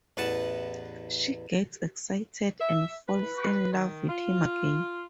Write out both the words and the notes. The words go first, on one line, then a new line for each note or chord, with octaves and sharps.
She gets excited and falls in love with him again.
A1 E2 B4 F#5 A5
E5
B4
D#3
F4